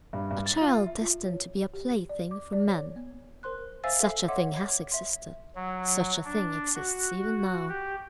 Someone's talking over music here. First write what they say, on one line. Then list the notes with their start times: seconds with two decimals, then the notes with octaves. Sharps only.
A child destined to be a plaything for men--such a thing has existed; such a thing exists even now.
0.13 G2
0.31 G2
0.46 A6
0.61 F4
0.87 E5
1.01 F4
1.26 C#5
1.74 G4
2.09 D5
2.31 D6
2.53 D5
2.68 C#5
2.96 B3
3.43 A#4 C5 C6 F#6
3.84 C5 E5 F5 G#5 E6 A6
4.00 A4 E5 G#5 C7
4.28 C#5 D#5 E5 F#5 C6 D6
4.56 G#6
4.92 E5 C6
5.55 F#3
6.25 D4
6.75 F#4
7.69 G4